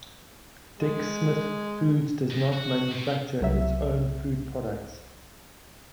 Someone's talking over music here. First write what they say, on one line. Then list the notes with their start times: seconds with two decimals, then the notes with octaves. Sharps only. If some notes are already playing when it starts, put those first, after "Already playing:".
Dick Smith Foods does not manufacture its own food products.
0.78 G#3
2.30 F2
2.53 F#4
2.91 C3
3.41 C2 F#3 E5